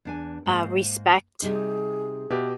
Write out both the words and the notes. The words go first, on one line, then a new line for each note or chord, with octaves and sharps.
uh, respect,
E2 D4 G#5
G#2 A#3 C5
C3 G3 D#4 G#4
B2 G4 B4 D5 E5